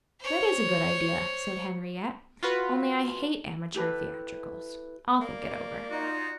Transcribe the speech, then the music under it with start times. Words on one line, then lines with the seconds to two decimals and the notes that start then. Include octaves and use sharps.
"That is a good idea," said Henriette; "only I hate amateur theatricals. I'll think it over."
0.20 C5 C#5
2.43 F4 F#4 B4
3.74 E4 G4 A4 B4
5.21 A#3 D5
5.91 D#4 F4 F#4